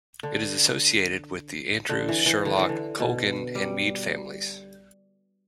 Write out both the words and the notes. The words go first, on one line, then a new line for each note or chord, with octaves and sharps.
It is associated with the Andrews, Sherlock, Colgan and Meade families.
D3
D3
E3
E3
D3
E3
D3
B2
G3